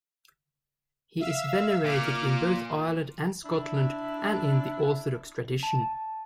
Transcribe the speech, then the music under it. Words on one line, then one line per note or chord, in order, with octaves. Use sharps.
He is venerated in both Ireland and Scotland and in the Orthodox tradition.
E5 F5 E6
A#2 D6 F6
D4 E4
A5